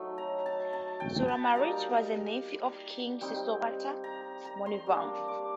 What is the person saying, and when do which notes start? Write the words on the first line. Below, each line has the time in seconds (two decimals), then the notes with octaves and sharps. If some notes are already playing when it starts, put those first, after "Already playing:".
Suramarit was a nephew of King Sisowath Monivong.
Already playing: F#3 A3 D#4
0.18 A#5
0.46 A5
0.73 A5
1.00 G5
1.28 A5
1.50 A5
1.56 G3 A#3 D#4 A#5
3.21 G3 C4 D#4 G5
4.04 A#5
4.45 A#5
4.66 C6
4.86 G3 A#3 D4
5.28 D6